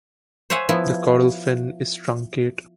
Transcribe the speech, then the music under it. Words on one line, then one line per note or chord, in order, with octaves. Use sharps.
The caudal fin is truncate.
C5 C#5 E5 F#5 G#5
F3 B3 E4